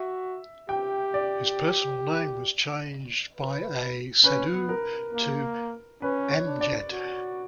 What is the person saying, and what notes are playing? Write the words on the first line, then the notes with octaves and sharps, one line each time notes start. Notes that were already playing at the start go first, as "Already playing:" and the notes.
His personal name was changed by a sadhu to Amjad.
Already playing: F#4 E5
G4 G5
D5
B4
C#4 B4
B3
A#4
A#3
C#4 B4
C#5
D4
D5
F#4